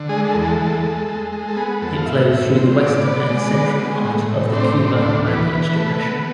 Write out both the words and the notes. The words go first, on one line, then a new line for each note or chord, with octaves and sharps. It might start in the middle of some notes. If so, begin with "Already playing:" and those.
It flows through the western and central part of the Kuma-Manych Depression.
Already playing: D3
G#3 G#4
A4
E2
A4
G#3
G#3
G#3
G#3
A4
B3 G#4
F2 A4
F5
A2 E5
A2 E5
C4
A2 D5
B3
G#3
B3
G#3
A2
A2
C4 D4
D4
A2 C4
C4
D2 D4
E3 B4
E3
A3
B3